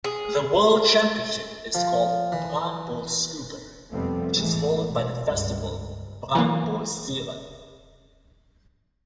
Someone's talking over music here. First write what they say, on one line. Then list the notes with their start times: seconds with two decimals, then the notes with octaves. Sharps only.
The world championship is called Brännbollscupen, which is followed by the festival Brännbollsyran.
0.04 G#4
1.75 F3
2.32 E3
3.92 F2 C3 G3 A3 B3 C4
4.36 A1 E3 G#3 A3
4.92 B2
5.26 C#2 G2
6.35 E3 F#3 A#3